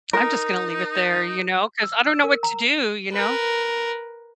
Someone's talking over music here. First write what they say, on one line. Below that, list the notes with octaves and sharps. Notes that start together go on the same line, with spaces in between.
I'm just gonna leave it there, you know, 'cause I don't know what to do, you know.
D#4 A#4
E6
E6
A#4
A#5
A#4 B4